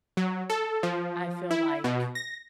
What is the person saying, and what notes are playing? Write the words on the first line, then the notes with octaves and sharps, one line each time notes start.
I feel like
F#3
A4
F3
E4
B2
A#6